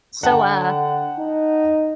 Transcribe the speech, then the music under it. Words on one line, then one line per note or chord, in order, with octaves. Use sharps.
so, uh,
D3 F#5 G5 A5
D#4